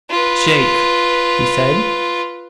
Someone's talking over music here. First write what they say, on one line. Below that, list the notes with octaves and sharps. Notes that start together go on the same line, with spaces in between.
"Shake!" he said.
F4 B4